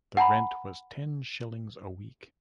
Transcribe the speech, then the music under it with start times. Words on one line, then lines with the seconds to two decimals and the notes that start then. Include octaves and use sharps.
The rent was ten shillings a week.
0.17 F#5 G#5 A#5 B5